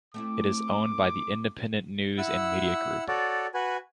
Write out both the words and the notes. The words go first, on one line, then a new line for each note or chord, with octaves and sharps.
It is owned by the Independent News and Media group.
A3 C4 E4 D6
E4 F#5 E6
F#4 A4 C#5 D5
F#4 B4 G#5